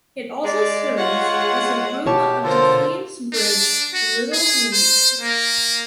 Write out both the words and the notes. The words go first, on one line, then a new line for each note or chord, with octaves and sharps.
It also serves as the home of the Queensbridge Little League.
G#3 D5
F4 C#5 F#5
B2 G4 C#5 A5
D3 F4 A4 A#4 C5
D4
F#4
G#4
C5
A#3